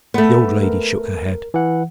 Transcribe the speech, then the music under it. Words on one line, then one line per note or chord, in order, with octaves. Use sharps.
The old lady shook her head.
A3 B3
A#4
E3 F#5